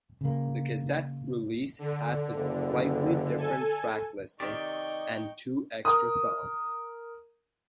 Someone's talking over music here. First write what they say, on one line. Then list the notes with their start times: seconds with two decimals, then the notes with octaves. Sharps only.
The cassette release had a slightly different track listing and two extra songs.
0.21 C#3 A#3
1.79 D3
2.34 F#1
3.37 A4 G#5
4.40 C3 D#3 D#4 G4 D5 G5 C#6
5.85 A#4 D#6